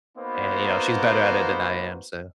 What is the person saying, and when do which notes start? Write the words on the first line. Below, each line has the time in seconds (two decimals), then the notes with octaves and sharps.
and, you know, she's better at it than I am, so
0.18 A#3 B3 D#4 F#4 B4 C5